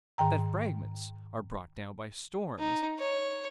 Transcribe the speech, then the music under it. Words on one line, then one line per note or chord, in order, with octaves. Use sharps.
That fragments are brought down by storms?
G#2 D#3 G5 A#5
D#4
C#5